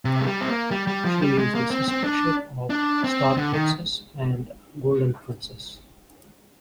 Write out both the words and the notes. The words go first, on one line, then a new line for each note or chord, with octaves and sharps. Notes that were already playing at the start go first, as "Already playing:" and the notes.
She is the sister ship of "Star Princess" and "Golden Princess".
C3
G#3
G3
C4
A#3
G3
G3
F3
G3
G#3
A#3
C4
C4
D4
D4
C4
D3
D#3